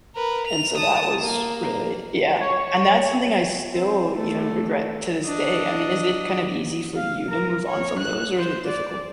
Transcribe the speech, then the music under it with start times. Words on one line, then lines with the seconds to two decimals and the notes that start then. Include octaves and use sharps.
and so that was really yeah, and that's something I still, you know, regret to this day. I mean, is it kind of easy for you to move on from those or is it difficult?
0.15 A#4 B4
0.47 F7
0.76 A5 D#6
1.18 A#3
2.41 C#5
3.72 C4
4.15 A3
5.25 D4 D#5
6.95 F5
7.29 A#4
7.67 C#5
7.99 F#6
8.38 C5
8.67 D5